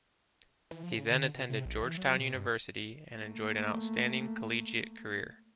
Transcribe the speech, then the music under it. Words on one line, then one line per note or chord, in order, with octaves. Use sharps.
He then attended Georgetown University and enjoyed an outstanding collegiate career.
E3
F3
C#3
D3
B2
C3
A#1
E3
F#3
B2
G2
A3 A#3